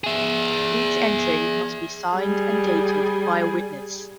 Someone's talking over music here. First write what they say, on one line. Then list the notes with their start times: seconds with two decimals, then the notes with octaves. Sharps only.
Each entry must be signed and dated by a witness.
0.04 G#4 E5
2.15 G3 G#4